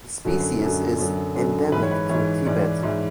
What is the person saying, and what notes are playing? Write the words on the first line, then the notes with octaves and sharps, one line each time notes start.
The species is endemic to Tibet.
F#2 D3 F#3
F#2 D3 F#3
F#2 D3 F#3
F#2 D3 F#3
G#2 E3 B4
C#5
B4
G#2 E3 C#5
G#2 E3 D5
G#2 E3 E5